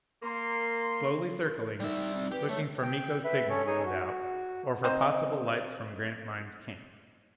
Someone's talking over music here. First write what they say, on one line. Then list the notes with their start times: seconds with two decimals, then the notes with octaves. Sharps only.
Slowly circling, looking for Miko's signal, no doubt, or for possible lights from Grantline's camp.
0.23 A#3 C6
1.42 A#4
1.80 G3 D#4 E5
2.14 C4
2.32 G4 B4
2.49 A3 C#5
2.83 G5
3.24 B4 E5
3.50 C#4 A4 C#5
3.67 D#4 G#4 C#5 G#5
3.86 F#4
4.84 C4 D#4 C5 D#5